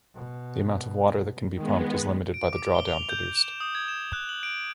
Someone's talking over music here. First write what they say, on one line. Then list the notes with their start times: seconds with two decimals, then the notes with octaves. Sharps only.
The amount of water that can be pumped is limited by the drawdown produced.
0.15 B2
1.57 D#3 G#3 B3
2.34 D7
2.53 D6
2.75 G7
2.88 F7
3.09 G6
3.36 E7
3.60 D#6
3.75 G#6
3.88 E7
4.13 F#6
4.29 F#7
4.43 D7